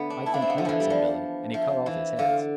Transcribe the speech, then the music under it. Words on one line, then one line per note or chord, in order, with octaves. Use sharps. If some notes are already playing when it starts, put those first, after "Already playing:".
"I think not," said Billy; and he cut off his heads.
Already playing: D3 A3 B3
D4
E4 A5
D4 F5
C4 E5
B3 F5
D3 E5
E3 F3
G3
F3 D5
F3 E5
E3
D3 F5